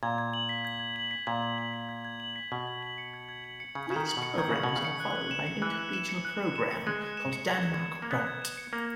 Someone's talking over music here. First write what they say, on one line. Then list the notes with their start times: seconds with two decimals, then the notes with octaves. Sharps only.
These programs are followed by an inter-regional program called Danmark Rundt.
0.03 A#2 G#6
0.18 G#6
0.34 F#7
0.49 B6
0.65 G#6
0.80 G#6
0.96 F#7
1.11 B6
1.27 A#2 G#6
1.43 G#6
1.58 F#7
1.74 B6
1.89 G#6
2.05 G#6
2.20 F#7
2.36 B6
2.52 B2 G#6
2.67 G#6
2.83 F#7
2.98 C#7
3.14 G#6
3.29 G#6
3.44 F#7
3.60 C#7
3.75 C#3 G#6
3.90 C#3 G#6
3.96 D#3
4.07 F#7
4.17 B2
4.22 C#7
4.38 D#3 G#6
4.50 C#3 G#6
4.64 B2
4.69 F#7
4.76 C#3
4.85 C#7
5.00 F#6
5.16 F#6
5.31 E7
5.47 C#7
5.62 E3 F#6
5.78 F#6
5.93 E7
6.09 C#7
6.25 F#6
6.40 F#6
6.56 E7
6.71 C#7
6.87 G#3 F#6
7.02 F#6
7.17 E7
7.33 C#7
7.48 G#6
7.64 G#6
7.80 E7
7.95 C#7
8.02 A#3
8.11 B3 G#6
8.27 G#6
8.42 E7
8.57 C#7
8.73 A#3 G#6